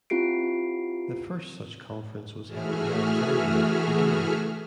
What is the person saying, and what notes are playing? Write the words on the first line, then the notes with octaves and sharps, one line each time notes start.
The first such conference was held in Alexandria, Virginia.
C4 E4 F4 G4 C7 D7
E3 A3 F#4 G#4 E5 F6